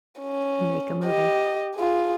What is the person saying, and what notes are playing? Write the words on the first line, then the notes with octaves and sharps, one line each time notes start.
And make a movie.
C#4
G4 D#5
F4 G#4